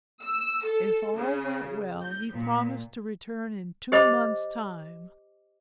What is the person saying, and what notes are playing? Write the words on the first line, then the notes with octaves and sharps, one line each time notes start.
If all went well he promised to return in two months' time.
E6
A4
C#3
G6
A#2
G4 C5 D#5 B5 D6